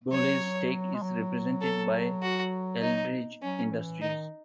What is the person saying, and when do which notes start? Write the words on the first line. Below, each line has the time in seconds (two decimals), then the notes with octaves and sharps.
Boehly's stake is represented by Eldridge Industries.
0.12 F#3 C#5
0.94 G#3
1.02 F#3
1.62 A4
2.22 F#4
2.82 D#4
3.42 F#3 C#4
3.71 E3
4.01 D#3 D#4